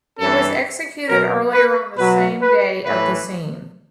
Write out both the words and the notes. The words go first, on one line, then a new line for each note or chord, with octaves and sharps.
He was executed earlier on the same day of the scene.
G2 E3 A4
B2 F#3 A#4
B4
B2 F#3 B4
B4
A2 E3 B4